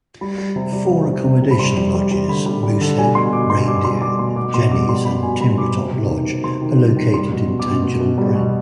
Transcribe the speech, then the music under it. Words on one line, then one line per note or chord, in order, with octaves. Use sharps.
Four accommodation lodges, Mooshead, Reindeer, Jenny's and Timbertop Lodge, are located in Tanjil Bren.
G3 B5
G3
C3
G3
C3
C3
C3
C3
B5
G3 C6
G3
G3
G3
D3 B5
G3
G3
D3
G3 G#5
B2 C6
B2 D6
B2 C6
G3 D6
G3 C6
G3 D6
B2 C6
B2 D6
B2 C6
G3 D6
G3 C6
G3 B5
B2 G#5
G3 B5
B2 D6
C3
C3
D#3
C3
C3 C6
D#3
G3
D#3
G3 C6
B2
B2
D6
B2
B2
B2
G3
B2